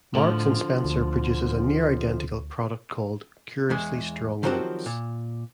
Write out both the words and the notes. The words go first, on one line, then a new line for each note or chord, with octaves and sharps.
Marks and Spencer produces a near identical product called "Curiously Strong Mints".
A2 D3 F3
D2
E2 E3 G#3
D#3 F3 F#3 C4 F#4 G4
A#2